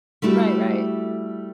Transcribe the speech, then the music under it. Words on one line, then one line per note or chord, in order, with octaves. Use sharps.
Right, right.
G3 A3 E4 F#4 G4